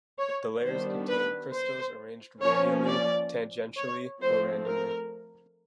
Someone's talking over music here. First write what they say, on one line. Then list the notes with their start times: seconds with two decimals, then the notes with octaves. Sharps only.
The layers contain crystals arranged radially, tangentially or randomly.
0.19 C#5
0.64 D#3 G3 B3 D4 C5
1.08 B4
1.52 C5
2.42 F3 A#3 C#4 C#5
2.87 D5
3.76 C#5
4.21 F3 A3 C4 C5
4.66 A#4